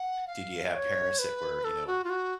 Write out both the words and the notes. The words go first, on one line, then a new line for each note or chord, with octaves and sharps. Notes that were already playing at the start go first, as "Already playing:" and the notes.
Did you have parents that were, you know,
Already playing: F#5
F5
C#5
B4
A4
F#4
F4
F#4